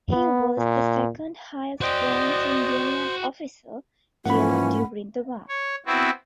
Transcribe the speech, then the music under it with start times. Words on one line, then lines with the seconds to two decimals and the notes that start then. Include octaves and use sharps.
He was the second highest ranking Union officer killed during the war.
0.11 B3
0.58 A#2
1.81 F#4 C5 D5 D#5 G5
4.26 G#2 E3 F3 A#3 C#4 F#5 B5
5.48 C#5
5.86 B3 C4 E4 F#4